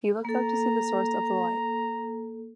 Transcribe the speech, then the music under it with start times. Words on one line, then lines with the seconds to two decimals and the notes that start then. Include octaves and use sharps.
He looked up to see the source of the light.
0.25 A#3 A4 A#5